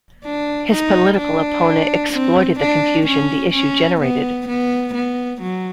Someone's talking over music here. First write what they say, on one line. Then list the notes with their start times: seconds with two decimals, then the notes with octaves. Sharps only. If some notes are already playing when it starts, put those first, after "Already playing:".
His political opponent exploited the confusion the issue generated.
0.24 D4
0.72 D#4
1.19 D4
2.13 C4
2.60 D4
3.07 C#4
3.54 C#4
4.01 B3
4.48 B3
4.95 B3
5.42 F#3